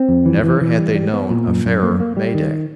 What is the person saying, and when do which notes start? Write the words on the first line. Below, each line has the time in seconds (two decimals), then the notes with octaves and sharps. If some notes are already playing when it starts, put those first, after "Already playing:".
Never had they known a fairer May-day.
Already playing: C4
0.09 F2
0.26 E3
0.44 E3
0.61 E3
0.79 G3
0.95 G3
1.13 B3
1.30 A#2
1.48 F#2
1.65 F#2
1.83 A#3
2.00 A#3
2.17 G3
2.34 D#3